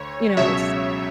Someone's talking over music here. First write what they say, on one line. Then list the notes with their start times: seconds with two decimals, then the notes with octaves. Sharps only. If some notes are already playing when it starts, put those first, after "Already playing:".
You know, it's
Already playing: D2 C#5
0.37 C#2 B2 F#3 C#5 E5